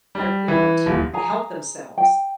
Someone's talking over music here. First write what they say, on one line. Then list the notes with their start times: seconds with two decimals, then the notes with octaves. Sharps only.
part you know, to help themselves.
0.15 G3
0.48 E3
0.86 D#1
1.13 G#4 G#5 A#5
1.98 G5